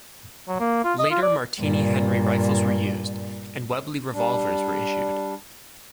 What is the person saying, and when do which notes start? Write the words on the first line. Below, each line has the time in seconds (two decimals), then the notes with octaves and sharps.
Later Martini-Henry rifles were used, and Webley revolvers were issued.
0.48 F#3
0.60 A#3
0.84 F4
0.99 D#5
1.11 F4
1.22 D5
1.60 G2 A#2
4.13 G3 D4